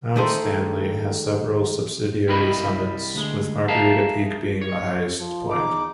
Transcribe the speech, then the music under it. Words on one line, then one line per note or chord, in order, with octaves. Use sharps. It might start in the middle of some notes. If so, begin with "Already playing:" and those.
Mount Stanley has several subsidiary summits, with Margherita Peak being the highest point.
D#3 A3 G#4 C5
C2 G3 E4 A#4 D#5 B5
D2 G#3
G#4 A#4 E5 F5 A5 A#5
C#5
F3
E2 D#4 D6